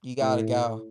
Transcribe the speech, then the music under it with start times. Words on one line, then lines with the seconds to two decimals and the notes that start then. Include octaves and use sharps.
You gotta go.
0.20 A2